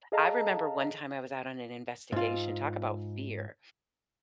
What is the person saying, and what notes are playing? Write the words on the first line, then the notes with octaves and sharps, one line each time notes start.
I remember one time I was out on an investigation- talk about fear-
G#4 A4 D#5 F5 A5 A#5
G#2 F4